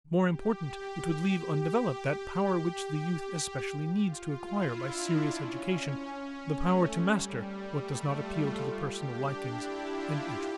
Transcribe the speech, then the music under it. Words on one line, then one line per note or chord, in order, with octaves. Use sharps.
More important, it would leave undeveloped that power which the youth especially needs to acquire by serious education, the power to master what does not appeal to the personal likings and interests.
G4
F4
E4
D4
C#4
C#4
C#4
A3
G3
A3
F4
G4
D4
E4
F4
G4